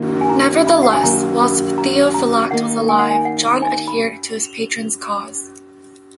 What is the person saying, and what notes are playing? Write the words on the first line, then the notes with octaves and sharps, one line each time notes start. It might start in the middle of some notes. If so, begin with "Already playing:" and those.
Nevertheless, whilst Theophylact was alive, John adhered to his patron's cause.
Already playing: D#2 D#3 A#3 F4
G#5
A#5
B5
F#5
G#5
D#3 F#3 A#3 A#5
B5
A#5
A#5
D#3 A#3 D#4 F#5
G#5
F#5
G#5
F#5
G#5
B5